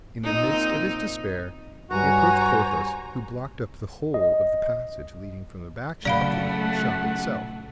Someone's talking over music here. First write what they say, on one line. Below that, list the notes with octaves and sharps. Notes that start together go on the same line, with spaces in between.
In the midst of his despair, he approached Porthos, who blocked up the whole of the passage leading from the back shop to the shop itself.
A#2 C4 D#4
G2 G3 F#4 C#5 G#5 A#5
D#5
A#2 C#3 F#3 A3 D5 F5 F#5 B5